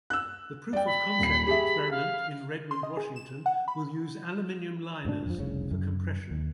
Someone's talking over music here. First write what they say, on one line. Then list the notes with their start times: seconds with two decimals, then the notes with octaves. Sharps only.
The proof of concept experiment in Redmond, Washington, will use aluminum liners for compression.
0.10 E6 F#6
0.73 D5 G5
0.86 B5
1.19 D#1 C7
1.47 G4 G#4 E5
1.91 F5
2.71 C6
2.83 D#5
2.97 G#4
3.16 E7
3.46 F#5
3.68 B5
5.05 D2 G#2 A#3 D4
5.26 F2 F3
5.38 F1 C2 C#3 C#4
5.71 F#2
6.31 D#2